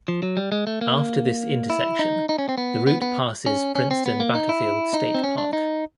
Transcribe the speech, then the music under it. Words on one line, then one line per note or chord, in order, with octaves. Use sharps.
After this intersection, the route passes Princeton Battlefield State Park.
F3
F#3
G3
G#3
A3
A#3
E4
D#4
D#4
C#4
C4
B3
B3
B3
C#4
C#4
C4
B3
A#3
D#4
E4
D#4
C4
C#4
D4
D#4